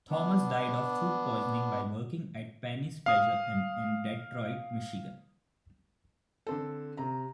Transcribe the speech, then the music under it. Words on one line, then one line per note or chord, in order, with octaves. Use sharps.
Thomas died of food poisoning while working at Penny's Pleasure Inn in Detroit, Michigan.
B3 D4
F5 D#6
D3 C4 A4
C3 A#5